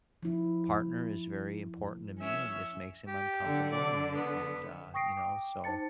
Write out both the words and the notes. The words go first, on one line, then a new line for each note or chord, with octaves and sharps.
partner is very important to me, and this makes him uncomfortable," and and, uh, you know, "So
F3 E4
C#4 E5
G4
D3 F#3
D5
B3
G5 C#6 D#6 A#6 C7 D7
G5 D6
D#4 C5 A5 A6 C#7